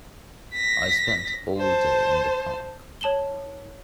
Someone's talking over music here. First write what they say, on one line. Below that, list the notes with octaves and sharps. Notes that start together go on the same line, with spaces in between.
I spent all day in the park.
A#6 B6
C5 A5
C#5 A5 E7 F#7 G7